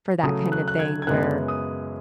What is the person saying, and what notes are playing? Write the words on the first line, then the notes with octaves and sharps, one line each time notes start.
for that kinda thing, where
C#3 F#3 A3 D#6
F#6
F#6
G#6
G#6
F#2 C#3 G#3 B3 F#6
D#6